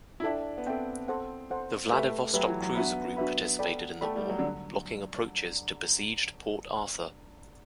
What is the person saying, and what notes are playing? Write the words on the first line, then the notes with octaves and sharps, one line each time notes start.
The Vladivostok Cruiser Group participated in the war, blocking approaches to besieged Port-Arthur.
E4
D4 A4 E5 G5
B3
C4 A4 E5 G5
A4 C5 F#5
A4 C5 F#5
A3 G4 B4 E5
F#3 G4 B4 E5
E3
F#3
B3 D4 F#4 B4 E5 B5
D4 F#4 B4 E5 B5
A4 D5 G5 B5
A3 A4 D5 G5 B5
G3
F#3
D3